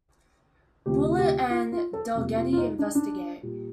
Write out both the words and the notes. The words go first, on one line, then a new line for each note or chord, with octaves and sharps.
Bullitt and Delgetti investigate.
D2 C3 F3 G4
G4
F4
F4
A4
F2 C3 G3 A#3
F4
F4
D#4
D4
D4
A#2 G3 A#3